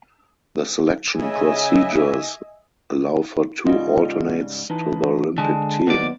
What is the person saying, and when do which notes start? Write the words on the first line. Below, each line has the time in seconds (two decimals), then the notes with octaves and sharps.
The selection procedures allow for two alternates to the Olympic Team.
1.19 C#3 D#5 E5 G#5
3.66 G#2 C#3 G3 F4 D#5
4.70 E3 D#4 B4 A5
5.38 D3 G#3 A5
5.87 D#2 B3 D5